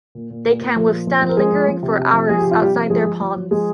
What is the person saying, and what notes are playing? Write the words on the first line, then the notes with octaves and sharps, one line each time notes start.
They can withstand lingering for hours outside their ponds.
A#2
A#2
A#2
A#2
F3
A#2
F3
F3
A#4
F3 G#3 G#4
F3
F3
C3
C3
F3
F3 G#4
G4
C3
F4
C3 G3 G4
F3
F3 G#3 G#4
F3
F3
F3
F3 G#3 G#4